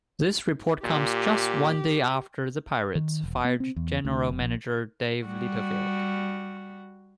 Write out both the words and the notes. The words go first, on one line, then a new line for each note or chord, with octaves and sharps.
This report comes just one day after the Pirates fired General Manager Dave Littlefield.
A#2 G4
D#3
E1
B3
C4
E2
D2
F1
A#1
G3 F#4